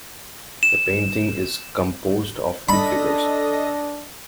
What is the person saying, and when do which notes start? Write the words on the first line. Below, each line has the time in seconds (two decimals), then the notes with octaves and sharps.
The painting is composed of two figures.
0.63 E7
2.69 D4 A4 D#5 B5 A#6